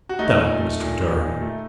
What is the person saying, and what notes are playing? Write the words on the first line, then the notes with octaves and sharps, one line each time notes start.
"Don't, Mr. Durham!"
F#4
A3 D#4
A#2
A3
A#2
A#2
A#2
A3